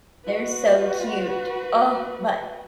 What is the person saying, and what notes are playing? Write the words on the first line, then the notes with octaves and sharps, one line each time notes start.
They're so cute. Oh, but
F#4 B4